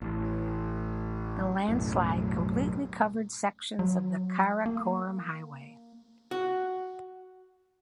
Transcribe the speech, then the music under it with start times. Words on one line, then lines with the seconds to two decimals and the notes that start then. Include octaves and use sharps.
The landslide completely covered sections of the Karakoram Highway.
0.02 A1
1.69 B1 F#2 A2
3.79 F#3
4.66 A#3
6.31 F#4